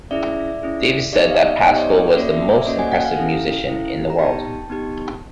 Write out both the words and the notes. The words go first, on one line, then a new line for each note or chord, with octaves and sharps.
Davis said that Pascoal was "the most impressive musician in the world".
C#4 E4 G#4 D5 E5
C#4 E4 G#4
B3 D#4 G4 D5 E5
D#5 F5
D5 E5
B3 D#4 G4 C#5 D#5
C5 D5
B4 C#5
A#3 C#4 F#4 A4 D5 E5
D5 E5
C5 D5
A#3 C#4 F#4 A4 C#5 D#5
F#5 G#5
F#5 G#5
F5 G5
C#4 E4 A4
C#4 E4 A4
A#5
B3 D#4 G4 G5 A5
B3 D#4 G4